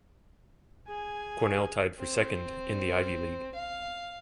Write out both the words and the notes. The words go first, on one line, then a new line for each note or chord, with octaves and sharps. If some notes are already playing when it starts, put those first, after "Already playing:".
Cornell tied for second in the Ivy League.
G#4 G#5
C4
F5